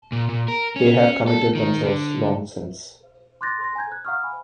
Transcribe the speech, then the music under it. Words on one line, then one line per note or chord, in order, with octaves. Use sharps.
They have committed themselves long since.
A#2
A#2
A#4
C#4
A4
D#3
D3
C6 D6 F#6 G6 A6 A#6
C6 A#6
G#5 A#5 G6 G#6
F#6
F5 F#5 A#5 C#6 D#6 F6
G#5 B5